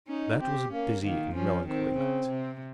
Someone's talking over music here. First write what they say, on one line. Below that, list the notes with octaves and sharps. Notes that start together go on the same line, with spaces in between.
That was a busy and melancholy night.
C#4 D#4
C4 G4
A#3 C#4
D#3 A#3
F3 C#4
D#3 C4
C#3
C3